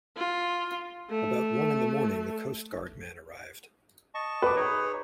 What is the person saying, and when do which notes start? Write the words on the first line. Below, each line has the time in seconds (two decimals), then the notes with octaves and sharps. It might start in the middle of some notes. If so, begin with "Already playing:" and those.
About one in the morning the coastguard man arrived.
0.17 F4
1.10 A3
4.15 D#5 A5 C#6
4.42 B4 D6
4.56 D#4 G#4 C#5